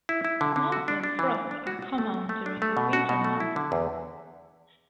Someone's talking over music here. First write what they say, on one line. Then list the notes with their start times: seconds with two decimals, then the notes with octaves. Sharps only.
Snowfall and frost are common during the winter months.
0.09 E4
0.25 E4
0.41 D3
0.56 D3
0.72 F#4
0.88 D4
1.04 D4
1.19 E3
1.35 D4
1.51 D4
1.67 F#4
1.82 F#4
1.98 A3
2.14 A3
2.29 A3
2.46 D4
2.62 A3
2.77 B2
2.93 F#4
3.09 B2
3.24 A3
3.40 E4
3.56 D3
3.72 E2